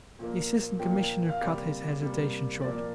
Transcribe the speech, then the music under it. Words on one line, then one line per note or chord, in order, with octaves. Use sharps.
The Assistant Commissioner cut his hesitation short.
A#2 F3 A#3
A#2 F3 A#3 G5
F5
C3 G3 A#3 D5
C3 G3 A#3
A#2 F3 A#3 D5